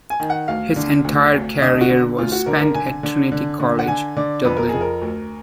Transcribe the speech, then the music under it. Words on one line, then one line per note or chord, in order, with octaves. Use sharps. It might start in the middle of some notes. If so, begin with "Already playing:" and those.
His entire career was spent at Trinity College Dublin.
G#5
D#3
F#5
D2 F5
D3
D2
D2
D3 D#5
F#4
D3
D2 F4
F#4
D3 A#4
A#4
D3 G#5
D3
D3
D3
F#5
D3 G#5
D3 D5
F2 B4
A#4
F2 G#4
A#4
D2